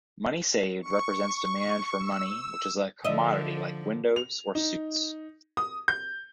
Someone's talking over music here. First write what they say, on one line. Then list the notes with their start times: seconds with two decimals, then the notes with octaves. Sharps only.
Money saved represents demand for money which is a commodity like windows or suits.
0.81 C#6
1.98 E6
3.04 D3 F3 D#5 E5
4.16 F7
4.55 D#4
5.57 D#6
5.88 G6